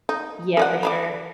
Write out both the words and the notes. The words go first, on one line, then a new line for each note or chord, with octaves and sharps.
Yeah, for sure.
D#4
A#4 D5 F#5
D5 F5 B5